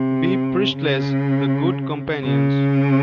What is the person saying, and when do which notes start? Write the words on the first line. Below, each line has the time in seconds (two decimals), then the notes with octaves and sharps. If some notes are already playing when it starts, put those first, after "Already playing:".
B. Priestley's "The Good Companions".
Already playing: C3
0.75 C#3
2.24 C#3